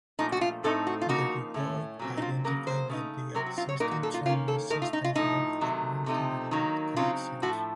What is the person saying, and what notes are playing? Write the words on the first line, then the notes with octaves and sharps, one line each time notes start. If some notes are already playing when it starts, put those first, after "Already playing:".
The Report identified that the existing tramway systems were fragmented and lacked connections.
A#2 F3 A3 D#4
F#4
F4
A2 A3 C4 D#4 A4
F#4
F4
C#3 F3 A#3 D#4 F#4
A2 A3 C#4
A#2 F#3 C4
D#4
F4
C#3 F#3 A#3 A#4
C5
C#3 A3 D#4
C3 F#3 C4 A#4
F#4
F4
C#5
A#2 F#3 A#3 D#4 A#4
F#4
A4
F4
D#3 A#3 C#4 F4
A4
A2 A3 D#4 A#4
F4
D#4
F4
A2 F3 A3 D#4
C3 D#3 F#3 A3
C3 F3 A3 C4 D#4
D#3 F#3 A#3 D#4
C#3 F#3 C4 D#4 F4
A2 F3 A3 F#4